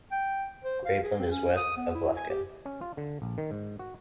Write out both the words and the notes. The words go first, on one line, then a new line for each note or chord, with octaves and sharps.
Grapeland is west of Lufkin.
G5
C5
F5
G#4
C4
C#4
D#6
B3
E4
G#5
G4
C#4
F4
D3
A#1
D#3
G#2
F#4